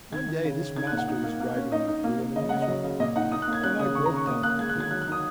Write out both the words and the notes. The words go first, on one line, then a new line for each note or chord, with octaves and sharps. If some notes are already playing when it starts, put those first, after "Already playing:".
One day this master was driving me through an amusement park when I broke down completely.
D#3 G#6
D#3
C#3
C#3
D#4 G#6
F#6
A#2
F#5
D#4
A#3
A#3
C#4
D#4 D#5
D#4
A#3
A#3
C#3 D#5
C#3 F#5
D#5
F#3
C#3
A#2 D#5
D#4 F#5
D#4 D#6
F#6
A#3 G#6
C#4 F#6
C#3 D#6
D#3 C#6
A#5
C#4 C#6
A#3 D#6
A#3 F#6
G#3 G#6
F#6
D#3 G#6
F#3 F#6
F#6
D#4 D#6